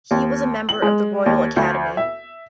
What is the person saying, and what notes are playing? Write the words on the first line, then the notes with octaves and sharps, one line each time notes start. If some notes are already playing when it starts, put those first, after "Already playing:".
He was a member of the Royal Academy.
D#2
F#7
G#3
D#2
D2
E5